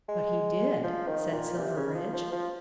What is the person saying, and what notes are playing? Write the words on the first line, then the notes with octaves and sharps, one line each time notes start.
"But he did," said Silverbridge.
G#3
F3
D#3
A#2
C3
C#3
F3
F3
F3